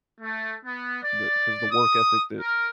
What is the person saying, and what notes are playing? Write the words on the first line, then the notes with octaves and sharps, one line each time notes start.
The 'cause the work ethic that
A3
B3
D5
D#6
A#4